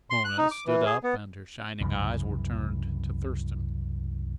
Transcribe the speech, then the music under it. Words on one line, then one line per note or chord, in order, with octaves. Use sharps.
Mona stood up, and her shining eyes were turned to Thurston.
C6
F#6
D#4
D6
E3
G#4
B3
C2 F#2 C#3 E3